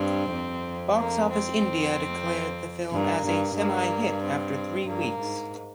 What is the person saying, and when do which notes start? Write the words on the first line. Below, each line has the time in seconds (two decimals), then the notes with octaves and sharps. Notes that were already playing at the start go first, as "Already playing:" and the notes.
Boxofficeindia declared the film as a "semihit" after three weeks.
Already playing: G2 C4
0.33 F2
0.99 A#3
1.31 C4
1.64 F2
2.93 G2 A#3
3.26 G2
3.58 G2 A#3
4.23 C4
4.88 G2 A#3
5.20 G#2